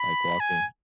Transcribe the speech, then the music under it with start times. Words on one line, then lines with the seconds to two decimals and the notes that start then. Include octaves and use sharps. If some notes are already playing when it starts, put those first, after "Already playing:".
like walking.
Already playing: B5
0.40 G#5